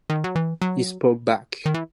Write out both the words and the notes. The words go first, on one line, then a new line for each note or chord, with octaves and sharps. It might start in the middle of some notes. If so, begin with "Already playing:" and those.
He spoke back.
D#3
F#3
E3
F#3
D#3
E3